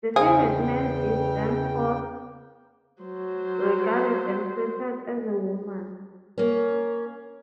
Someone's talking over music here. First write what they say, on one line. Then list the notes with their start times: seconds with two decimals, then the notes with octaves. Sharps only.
The favored man is thenceforth regarded and treated as a woman.
0.16 E2 C#3 C4 G#4 F5 G5
3.02 F#3 C5
6.38 A#3 C#4